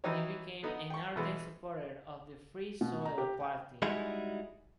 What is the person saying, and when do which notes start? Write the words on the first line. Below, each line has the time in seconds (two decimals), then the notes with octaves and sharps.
He became an ardent supporter of the Free Soil Party.
0.04 E3 F#3 D#4 G4 C#5
0.63 D3 B3 D#4
0.90 G5 C#6
1.16 B2 E3 G#3
2.81 B2
3.05 A#5
3.18 G4
3.40 G5
3.82 G3 G#3 D#4 E4 F#4 G#4